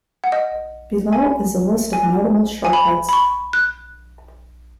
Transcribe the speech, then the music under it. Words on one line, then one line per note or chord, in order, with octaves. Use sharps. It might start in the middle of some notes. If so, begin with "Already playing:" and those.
Below is a list of notable shortcuts.
F#5
D#5
G#5
G#5
G#5
B5
B5
C#6
F#6